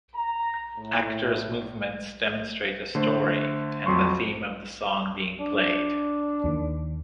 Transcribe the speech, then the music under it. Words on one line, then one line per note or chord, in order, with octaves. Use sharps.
Actors movements demonstrate a story and the theme of the song being played.
A#5
A2
D3 A3 C5
F2 F#3 C6 C#6
D4
D#2 D#3